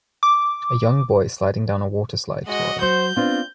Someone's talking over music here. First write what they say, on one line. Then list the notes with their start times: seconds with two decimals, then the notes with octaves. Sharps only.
A young boy sliding down a water slide toy.
0.23 D6
2.47 G#3 F#4 D#5
2.82 F#3 C5 G6
3.16 B3 C4 D4 F4